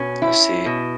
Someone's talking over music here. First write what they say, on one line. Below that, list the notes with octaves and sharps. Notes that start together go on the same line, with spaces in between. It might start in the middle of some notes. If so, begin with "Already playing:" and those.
I see.
Already playing: B2 C#4
E4
B2